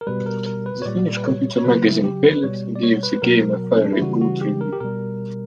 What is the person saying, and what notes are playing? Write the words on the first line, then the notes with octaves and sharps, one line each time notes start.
The Finnish computer magazine "Pelit" gave the game a fairly good review.
A#4
B2 G3 B4
A#4
A#4
B4
C#5
A#2 G3 D5
B4
C#5
C#5
C#3 F#3 B4
E4
G4
B4
B2 G3 C#5
D5
C#5
B4
B2 F#3 A#4
C#4
D4
E4
C#3 E3 G3 F#4
F#4
G4
A#4
G4
B2 G3 A#4